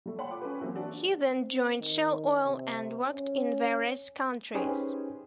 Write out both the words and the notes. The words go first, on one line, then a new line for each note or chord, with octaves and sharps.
He then joined Shell Oil and worked in various countries.
G3 A3
C#5 F#5 G5 A5 B5 C6
F4 D6
C#4 A4 B4
E3 F#3 A#3 C4
D4 F#4
C4
D#3
C3
C#4
C#4 D#4 G4 G#4 B4 C5